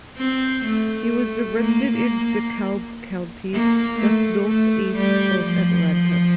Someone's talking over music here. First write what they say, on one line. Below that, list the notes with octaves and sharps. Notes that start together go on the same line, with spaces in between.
He was arrested in DeKalb county, just northeast of Atlanta.
C4
A3
A#3
A#3
A3
A3
G3
F3